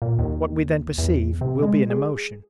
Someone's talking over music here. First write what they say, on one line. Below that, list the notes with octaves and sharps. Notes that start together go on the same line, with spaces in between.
What we then perceive will be an emotion.
A#2
D#2
E2
C3
G#3
G#4